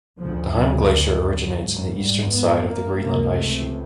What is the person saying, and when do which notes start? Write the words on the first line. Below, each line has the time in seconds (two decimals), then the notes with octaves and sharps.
The Heim Glacier originates in the Eastern side of the Greenland Ice Sheet.
0.21 D2 C#3 F3
0.55 F#3
0.91 F#3
1.61 G#1 G#2
1.97 G3
2.32 B3
2.67 A#3
3.02 C#2 C3 A#3
3.38 A3